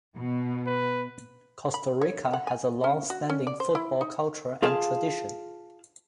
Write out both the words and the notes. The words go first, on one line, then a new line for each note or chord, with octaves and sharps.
Costa Rica has a long-standing football culture and tradition.
B2
B4
B5
C#5
F#5
G#5
C#4
F#4
C#4
D5
C5
E4
D#4
F4 G#4 F5 A5